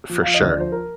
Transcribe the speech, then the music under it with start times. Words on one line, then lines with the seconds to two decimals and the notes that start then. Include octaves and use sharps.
for sure.
0.09 F3
0.22 F3 F5
0.34 D#5
0.41 D2
0.47 D5
0.57 F3 C5
0.72 A#4